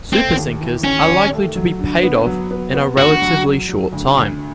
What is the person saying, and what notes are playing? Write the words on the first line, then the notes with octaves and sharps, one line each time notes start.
Super sinkers are likely to be paid off in a relatively short time.
A3 C4
D#2
E3
D#2 C#4
D#2
A3
F#3
D3
B3
F#3
B3
B3
D2 F#4
F#3
F#3
F#3
D2
D2